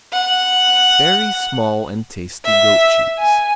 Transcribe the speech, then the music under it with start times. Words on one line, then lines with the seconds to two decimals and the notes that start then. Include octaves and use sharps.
Very small and tasty goat cheese.
0.13 F#5
2.45 E5
3.18 G#5